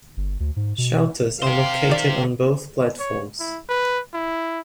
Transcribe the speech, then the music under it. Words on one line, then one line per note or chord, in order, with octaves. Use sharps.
Shelters are located on both platforms.
G1
D2
G#2
B2
G4 C5 F5
D#3 D5
C#5
E4
B4
E4